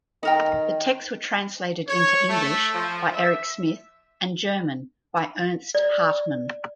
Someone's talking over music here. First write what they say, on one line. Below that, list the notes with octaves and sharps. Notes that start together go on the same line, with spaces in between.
The texts were translated into English by Erik Smith and German by Ernst Hartmann.
D#3 D#4 A#4 G5
C#5
A3
F3
E5
D5